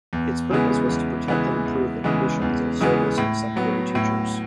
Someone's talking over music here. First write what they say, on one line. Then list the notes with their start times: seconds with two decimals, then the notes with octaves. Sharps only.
Its purpose was to protect and improve the conditions of service of secondary teachers.
0.13 E2
0.51 C#3 E3 G#3 B3
0.89 E2
1.28 C#3 E3 G#3 B3
1.66 E2
2.04 C#3 E3 G#3 B3
2.41 E2
2.80 C#3 E3 G#3 B3
3.18 A2
3.56 F#3 B3
3.95 A2